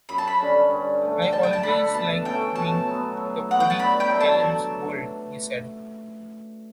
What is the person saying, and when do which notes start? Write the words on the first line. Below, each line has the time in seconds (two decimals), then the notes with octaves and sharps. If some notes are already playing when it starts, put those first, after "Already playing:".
"I always like being in Woody Allen's world," he said.
0.09 F#2 B5
0.18 A5
0.27 B5
0.40 D3 G3 C#4
0.71 G2
1.02 D3 A3
1.22 G5
1.32 G3 A5
1.43 G5
1.53 A5
1.63 D4 A4 B5
1.94 B2 A5
2.25 A3 C#4 G5
2.55 B2 A5
2.87 F#3 B3
3.17 F#3
3.48 B3 F#4 F#5
3.60 G5
3.70 A5
3.79 G2 B5
4.00 G5
4.10 F#3 A3 D4
4.20 A5